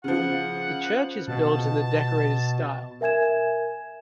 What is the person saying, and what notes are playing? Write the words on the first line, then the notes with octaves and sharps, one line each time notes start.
The church is built in the Decorated style.
C#3 F3 F#5
B2 A5
A#4 E5 G#5 G#6 E7